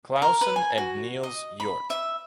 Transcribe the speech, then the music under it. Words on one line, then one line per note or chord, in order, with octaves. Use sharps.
Clausen and Niels Hjort.
A#4
B4
G#5
F#4
D#5
B5
E5